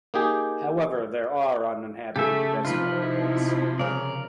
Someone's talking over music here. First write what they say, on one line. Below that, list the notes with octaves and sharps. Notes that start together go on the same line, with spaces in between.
However, there are uninhabited desert areas.
A#3 D#4 G4 G#4
C#3 A3 G4 A4 E5
C3 F3 D#4 F4 B4
E4
C#3 A#4 C#5 D5